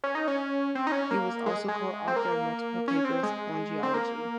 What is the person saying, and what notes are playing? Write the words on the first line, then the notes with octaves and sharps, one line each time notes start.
He was also co-author of multiple papers on Geology.
C#4
D#4
C#4
C4
D#4
C#4
A#3
G#3
G#3
C4
A#3
C#4
C4
G#3
C4
A#3